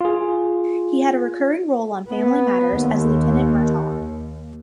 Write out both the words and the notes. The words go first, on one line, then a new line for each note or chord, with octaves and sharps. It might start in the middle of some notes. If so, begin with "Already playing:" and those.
He had a recurring role on "Family Matters" as Lieutenant Murtaugh.
F4 G#4
B3
D#2